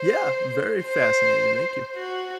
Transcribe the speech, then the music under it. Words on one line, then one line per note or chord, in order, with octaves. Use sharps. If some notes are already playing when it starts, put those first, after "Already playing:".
Yeah, very fascinating. Thank you.
Already playing: C5
C5
F#4